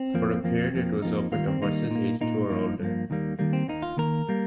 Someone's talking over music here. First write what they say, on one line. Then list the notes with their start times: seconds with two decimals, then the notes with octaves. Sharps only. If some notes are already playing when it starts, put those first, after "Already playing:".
For a period it was open to horses aged two or older.
Already playing: C4
0.14 F2 F3 A#3
0.44 F2 F3 A#3
0.74 F2 F3 A#3
1.02 F2 F3 A#3 D#4
1.32 D#2 D#3 G3 A#3 F4
1.47 C4
1.62 D#2 D#3 G3 A#3 D#4
1.91 A#2 A#3
2.21 A#2 A#3 D#4
2.50 G2 F3 A#3
2.80 G2 F3 A#3
3.10 D#2 D#3 G3 A#3
3.39 D#2 D#3 G3 A#3
3.53 C4
3.68 D#2 D#3 A#3 D#4
3.82 F4
3.97 D#2 D#3 A#3 A#4
4.29 G3 A#3